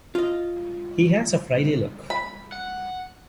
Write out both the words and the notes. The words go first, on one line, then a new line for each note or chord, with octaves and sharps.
He has a Friday look.
F4 D#5
B5
F#5